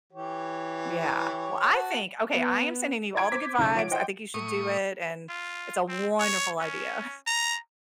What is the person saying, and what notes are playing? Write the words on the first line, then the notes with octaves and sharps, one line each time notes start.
Yeah, well, I think okay, I am sending you all the good vibes, I think you should do it, and it's a wonderful idea.
E3 G4 C#5
F#4 A5
B3
D5 A#5 G#6 D7
C5 D6 B6
B1 C#3
F3 C#5 F#5 D7
C5 D#5 F#5 G5 C6
A2 C#6 D#6
F4
C4
C#5
C#4
A#5